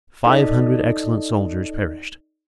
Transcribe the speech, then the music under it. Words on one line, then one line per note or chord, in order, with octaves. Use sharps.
Five hundred excellent soldiers perished.
D#4 A4 D5 D#5